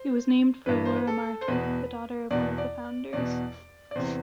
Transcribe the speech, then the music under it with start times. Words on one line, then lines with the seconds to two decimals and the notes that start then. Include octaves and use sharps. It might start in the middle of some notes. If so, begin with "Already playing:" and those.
It was named for Laura Martin, the daughter of one of the founders.
Already playing: C5
0.66 G2 E3 B4
0.85 C5
0.96 B4
1.07 A4
1.41 C5
1.48 E2 B2 B4
2.31 E2 B2 D5
2.58 D5
3.13 E2 B2 D5
3.91 D5
3.95 E2 C3 E3 C5